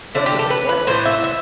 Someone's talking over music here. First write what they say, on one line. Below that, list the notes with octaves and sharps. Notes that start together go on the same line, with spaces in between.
Go to the devil!
D3 A3 D4 E4
G4
A4
B4
B4
A2 E3 A3 C5
E5
E5